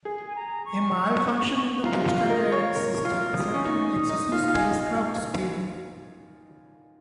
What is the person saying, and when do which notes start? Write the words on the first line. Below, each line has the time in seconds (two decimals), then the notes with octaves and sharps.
A malfunction in the booster guidance system resulted in excessive spacecraft speed.
0.05 G#4
0.28 G#5
0.36 A#5
0.65 C#6
1.85 F4 A#5
2.07 F4 F5
2.30 A#4 D#5
2.52 C#5 F5
2.75 A#4
3.05 F4 F6
3.35 D#6
3.54 C#4
3.64 D#4 C#6
3.87 D#6
4.09 D#4 D#6
4.32 F4 F6
4.48 F5
4.54 D#5 G#5
4.84 F5